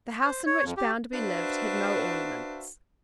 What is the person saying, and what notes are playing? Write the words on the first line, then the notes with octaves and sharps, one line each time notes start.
The house in which Bounderby lived had no ornaments.
C5
C#5
F2
G4
D4 F#4 B4 C5 E5 F5